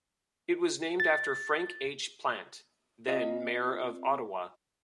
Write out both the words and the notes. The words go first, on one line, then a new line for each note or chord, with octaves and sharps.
It was named after Frank H. Plant, then mayor of Ottawa.
A6
C4 F4 D5 D#5 F5